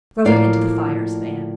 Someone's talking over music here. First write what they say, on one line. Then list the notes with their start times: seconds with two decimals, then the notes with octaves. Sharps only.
"Throw it into the fire," said Anne.
0.25 A2 F3 A#3 D5 F5